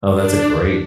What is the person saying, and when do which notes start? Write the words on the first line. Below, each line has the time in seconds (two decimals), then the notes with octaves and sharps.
Oh, that's a great
0.13 D4